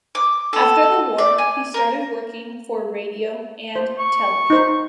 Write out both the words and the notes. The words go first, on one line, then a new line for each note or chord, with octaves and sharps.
After the war, he started working for radio and television.
D6
A4
D5
G#5
A#4
C5
C#6
D#4 C5